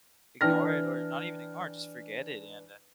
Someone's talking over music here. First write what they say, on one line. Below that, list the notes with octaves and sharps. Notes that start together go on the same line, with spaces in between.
ignore it or not even ignore it, just forget it and, uh,
E3 D4 G5 F6 A#6